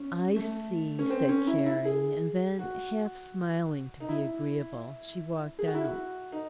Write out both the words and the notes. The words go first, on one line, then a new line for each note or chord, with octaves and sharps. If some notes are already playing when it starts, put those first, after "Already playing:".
"I see," said Carrie, and then, half-smiling to be agreeable, she walked out.
Already playing: C#4
A3
C#4
C4
C#4
E4
E4
G#4
F#4
D#4
E4
G#4
F#4
E4
F#4
D#4